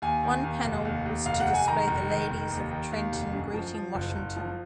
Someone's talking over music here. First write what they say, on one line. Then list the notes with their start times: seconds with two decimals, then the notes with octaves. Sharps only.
One panel was to display the Ladies of Trenton greeting Washington.
0.02 D#2 G#5
0.23 D#3
0.44 D#2
0.64 F1
0.85 D#2
1.06 D#2
1.26 F1 F5
1.40 F#5
1.47 F1
1.54 G#5
1.67 D#3 A#5
1.88 F1
2.09 D#3
2.30 F1
2.50 D#2
2.71 D#3
2.92 D#2
3.12 F1
3.33 F#2
3.54 F3
3.75 F3
3.95 F#1
4.16 F#1
4.36 F3